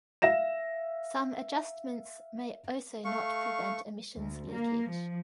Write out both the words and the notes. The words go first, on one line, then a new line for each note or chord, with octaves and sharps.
Some adjustments may also not prevent emissions leakage.
E5 F5 A#6 E7
A3 F5 C#6
D2
A#3
F3